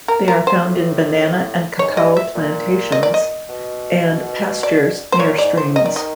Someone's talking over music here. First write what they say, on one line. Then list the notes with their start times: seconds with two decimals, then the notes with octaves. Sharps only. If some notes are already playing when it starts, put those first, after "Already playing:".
They are found in banana and cacao plantations, and pastures near streams.
0.08 A#4
0.28 A#4
0.47 C5
0.65 A2
1.79 G#2 C#5
1.97 G2 D#5
2.17 E5
2.36 A#2
2.92 D#5
3.03 D5
3.14 D#5
3.49 B2
4.63 D5
5.12 C5
5.19 A#2 C#5
5.38 G#2 D5
5.57 A2 C5
5.76 D#3 D#5
5.86 D5
5.96 D#5